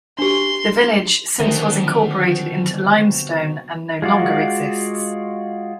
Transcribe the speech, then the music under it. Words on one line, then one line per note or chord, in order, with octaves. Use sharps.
The village since was incorporated into Limestone, and no longer exists.
D4 G4 C6
B2 D3 D#3 G3 A3 C4 A#4
G#3 F4 F#4 D5